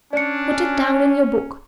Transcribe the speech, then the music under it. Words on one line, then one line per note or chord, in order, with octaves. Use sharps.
"Put it down in your book."
C#4 D4 D5 C#7